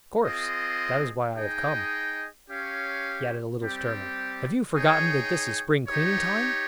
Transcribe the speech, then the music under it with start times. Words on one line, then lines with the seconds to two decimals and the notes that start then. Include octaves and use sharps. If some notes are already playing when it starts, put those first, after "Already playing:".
"Of course; that is why I have come." He added a little sternly, "Have you forgotten that this is spring cleaning time?"
0.24 C4 F4 G#4 D#5
1.36 D#4 G#4 D#5 G5
2.49 C#4 G4 C#5 F5
3.62 G3 C4 G4
4.74 D#4 G#4 C#5 G5
5.87 D#4 G4 C#5